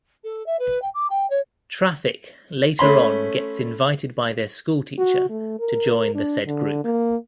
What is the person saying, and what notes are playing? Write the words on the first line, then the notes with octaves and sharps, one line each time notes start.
Traffic later on gets invited by their school teacher to join the said group.
A4
E5
B4
G5
D6
G5
C#5
A3 C#4 B5 C6
F#4
A3
A#4
D4
D3
A#3